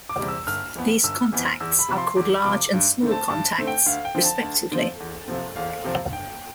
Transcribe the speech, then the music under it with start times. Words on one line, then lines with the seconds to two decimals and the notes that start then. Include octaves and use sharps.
These contacts are called large and small contacts, respectively.
0.09 D6
0.19 E2 C3 G3
0.28 E6
0.47 G1 F6
0.76 F2 E3 B3
1.03 G1 E6
1.32 F2 E3 B3
1.60 E2 E6
1.79 B5
1.88 C3 F3
1.98 C6
2.16 E2 D6
2.45 C3 F3 D6
2.73 G2
3.02 D3 A3 C4
3.11 A5
3.29 G2 A5
3.58 D3 A3 C4
3.67 G5
3.86 D2 F5
4.05 G5
4.15 D3 F3 C4
4.24 A5
4.43 D2
4.71 D3 F3 C4
5.00 E2
5.28 C3 F3 C4
5.56 E2 F5
5.84 C3 F3 C4
6.12 G1 G5